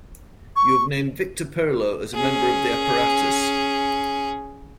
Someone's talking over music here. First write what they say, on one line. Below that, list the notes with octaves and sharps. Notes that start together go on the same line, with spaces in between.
You have named Victor Perlo as a member of the apparatus.
C#6
C#4 G#4